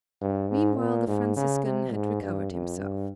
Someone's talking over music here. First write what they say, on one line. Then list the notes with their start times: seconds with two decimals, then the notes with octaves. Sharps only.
Meanwhile the Franciscan had recovered himself.
0.22 G2
0.49 G#2
0.78 A#2
1.07 G#2
1.36 C#3
1.64 C3
1.93 G#2
2.22 G2
2.51 F2
2.80 G2